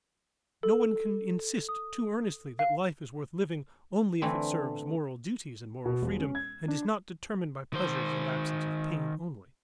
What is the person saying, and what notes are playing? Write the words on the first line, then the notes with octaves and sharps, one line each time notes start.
No one can insist too earnestly that life is worth living only if it serves moral duties and moral freedom and is not determined by pleasures and absence of pain only.
A4
D#6
F5
D3 E3 A3 C4 E4
B2
E1
C#4
G#6
D4
D#3 C5